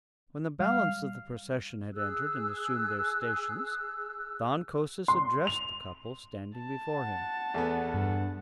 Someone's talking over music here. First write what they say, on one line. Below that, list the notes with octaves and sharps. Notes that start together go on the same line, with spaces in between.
When the balance of the procession had entered and assumed their stations Than Kosis addressed the couple standing before him.
G3 F5
G#4 E6 F#6
C6
F7
A5
F#5
E2 A3 B3
G2